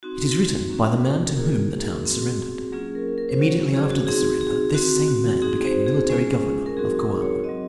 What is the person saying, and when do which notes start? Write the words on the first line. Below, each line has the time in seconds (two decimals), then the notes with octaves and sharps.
It is written by the man to whom the town surrendered. Immediately after the surrender this same man became Military Governor of Coamo.
0.03 C4 D#4 F#4
0.69 A#3 C#4 F#4
1.26 A#4
1.37 A#3 D#4 F#4 G#4
2.05 C4 F#4
2.72 F#3 A#3 C#4 F4 G#4
2.95 A#4
3.18 A#4
3.29 C5
3.39 F#3 C#4 F#4 C#5
3.74 G#4
3.91 F#4
4.07 C4 D#4 F#4 G#4
4.41 G#4
4.74 C4 F#4
5.08 F#4
5.42 C4 D#4 F#4 G#4
5.65 C5
5.86 G#4
6.10 G#3 C#4 F4
6.66 A#4
6.77 F#3 C4 D#4 F#4 G#4
6.99 A#4
7.22 C#5
7.44 F#3 C4 F#4 D#5